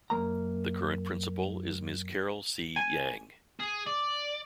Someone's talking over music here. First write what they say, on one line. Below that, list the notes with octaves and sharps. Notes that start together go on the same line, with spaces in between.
The current principal is Ms. Carol C. Yang.
F#2 A#3 A#5
G#5
G#4
D5